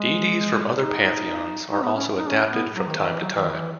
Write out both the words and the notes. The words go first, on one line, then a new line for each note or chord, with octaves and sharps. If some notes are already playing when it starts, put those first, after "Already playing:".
Deities from other pantheons are also adapted from time to time.
Already playing: G#3
D#4
D#4
B3
C#4
D#4
C#4
B3
F#3
D#3
D#3
E3
F#3
E3
D#3
E3